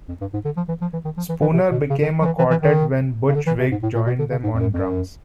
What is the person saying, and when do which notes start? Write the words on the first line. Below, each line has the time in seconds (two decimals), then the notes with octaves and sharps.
Spooner became a quartet when Butch Vig joined them on drums.
0.09 F2
0.21 G2
0.33 G#2
0.45 D3
0.57 F3
0.69 E3
0.82 F3
0.93 E3
1.05 D#3
1.17 F3
1.29 E3
1.42 E3
1.53 C3
1.71 B2
1.90 C#3
2.02 D3
2.22 F3
2.26 E3
2.38 E3
2.51 E3
2.63 D#3
3.29 C#3
3.35 D3
3.47 E3
3.59 C3
3.71 G#2
3.83 A2
3.95 A#2
4.07 B2
4.19 D3
4.31 C#3
4.44 G#2
4.55 F2
4.61 F#2
4.74 F2
4.80 F#2